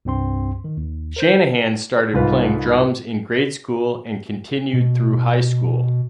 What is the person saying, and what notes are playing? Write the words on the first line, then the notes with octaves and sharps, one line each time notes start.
Shanahan started playing drums in grade school and continued through high school.
C2 G2 C4 C6
D#3
D#2
A#4 C5 G6
C2 G#2 F4 B4
B2